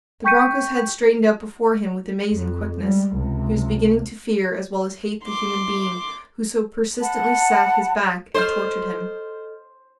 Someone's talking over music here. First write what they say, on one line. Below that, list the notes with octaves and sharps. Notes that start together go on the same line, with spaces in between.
The broncho's head straightened out before him with amazing quickness. He was beginning to fear as well as hate the human being who so persistently sat his back and tortured him.
G5 C#6 G6 B6 C#7 D#7
F2
G3 G#3
C#2 C3
C6 D6
F#5 A5 B5
A4 C5 D#5 F6